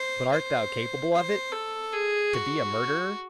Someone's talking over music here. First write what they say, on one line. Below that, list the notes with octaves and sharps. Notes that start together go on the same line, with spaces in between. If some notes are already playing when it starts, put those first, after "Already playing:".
But art thou capable of it--to be a murderer?
Already playing: C5
C5
C5
A4
G#4
F#4